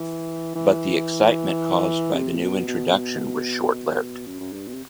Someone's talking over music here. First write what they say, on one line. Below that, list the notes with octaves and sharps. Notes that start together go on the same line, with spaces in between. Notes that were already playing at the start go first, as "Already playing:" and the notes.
But the excitement caused by the new introduction was short-lived.
Already playing: E3
E3
C3
A2
B2
B2
B2
F#2
F#2
G2
B2
C3